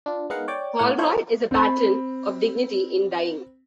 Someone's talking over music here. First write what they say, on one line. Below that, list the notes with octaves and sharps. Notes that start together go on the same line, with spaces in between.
Holroyd is a patron of Dignity in Dying.
D4 F4
G#3 B3 D#4 A#4 F5 F#5
C#5 D5 G5 D6
A2 A3 C#5 F#5 F6
E4 F4 A4 C5 C#5
C4 B5